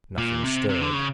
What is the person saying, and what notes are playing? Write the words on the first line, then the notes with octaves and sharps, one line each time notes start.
Nothing stirred.
A#2
C3
C3
D3
C#3